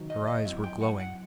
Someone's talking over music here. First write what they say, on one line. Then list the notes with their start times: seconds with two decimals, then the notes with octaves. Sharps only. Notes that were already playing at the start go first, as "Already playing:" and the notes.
Her eyes were glowing.
Already playing: C3 D#3 F#3 B3 D#4
0.10 D#5
0.27 D#5
0.45 F#3 C4 E4 E5
0.64 G5
0.81 F#5
0.99 F#5